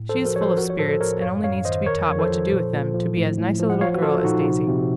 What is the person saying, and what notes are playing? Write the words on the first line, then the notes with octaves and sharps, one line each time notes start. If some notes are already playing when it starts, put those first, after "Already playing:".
She is full of spirits, and only needs to be taught what to do with them to be as nice a little girl as Daisy.
Already playing: A2
A4 C5
F3
F#4 A#4
F3 A4 C5 C#5
F3 F#4 A#4
C#5
A2 A4 C5
A2 A#4 C#5
F#2 C#5 F5
F#2 C#5 F5
D#3 C5 D#5
F2 A#4 C#5
F3 C#5
A4 C5
F3
A#2
A#2
F3
A2
A2
F3
F#5
F3 C#5 F5
F#4
F3 F4 A4
A#2 D#4 F#4
C3
C3